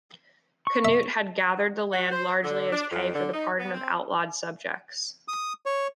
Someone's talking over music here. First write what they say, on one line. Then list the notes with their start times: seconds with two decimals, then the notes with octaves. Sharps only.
Canute had gathered the land largely as pay for the pardon of outlawed subjects.
0.67 C#6
0.85 E5
1.92 F#4
2.12 C5
2.43 D3
2.72 D4
2.91 F2
3.14 D3
3.33 D#4
3.59 B3
3.74 C4
5.28 D#6
5.66 C#5